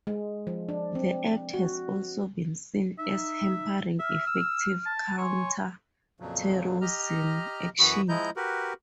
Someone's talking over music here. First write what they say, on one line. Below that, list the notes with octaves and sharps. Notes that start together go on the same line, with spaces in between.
The Act has also been seen as hampering effective counter-terrorism action.
G#3
F3
D4
C4
F#4
D#4 E5
E5 F6
E6
A5
C#5 G#5 C6
F2 A#2 C#3 F3 F#3
G4 D#5 A#5 F6
F#2 E3 F#4 B5 C#6 D#6
F3 G#3 E4 D#5 A#5 G6
F#4 G4 A#4 B4